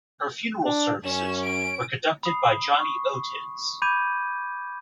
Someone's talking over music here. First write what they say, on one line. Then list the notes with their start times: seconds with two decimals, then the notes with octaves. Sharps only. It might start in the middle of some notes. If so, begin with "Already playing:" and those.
Her funeral services were conducted by Johnny Otis.
0.64 D4
1.04 F#2 C#4 E7
1.43 D7
2.23 B5 D#6 C7
2.80 C#6
3.82 B5 D6 G6 G#6 D#7